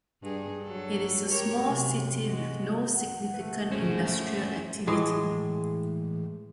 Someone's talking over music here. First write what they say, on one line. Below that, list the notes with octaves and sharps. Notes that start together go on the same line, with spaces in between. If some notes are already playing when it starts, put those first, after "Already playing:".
It is a small city with no significant industrial activity.
G2 G#4
F#3 A4
G4 A#4 C#5
C3 F#3
G#3 F#4
F#5
A3 B4
C#4 F#4 G#4 C5
E5
A2 E3 G#3